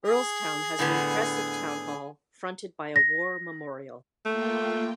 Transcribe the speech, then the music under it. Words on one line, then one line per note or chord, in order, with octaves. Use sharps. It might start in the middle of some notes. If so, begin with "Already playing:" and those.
Earlestown has an impressive town hall, fronted by a war memorial.
G#4
A2 D3 B3
A#6
A3 A#3 F4 G5